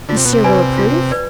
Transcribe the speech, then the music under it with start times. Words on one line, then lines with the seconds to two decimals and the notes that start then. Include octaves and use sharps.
"Monsieur will approve?"
0.09 D3 F4
0.17 C3
0.25 B2
0.33 C3
0.44 B4 D5 G#5 B5
0.78 F4
1.11 B4 D5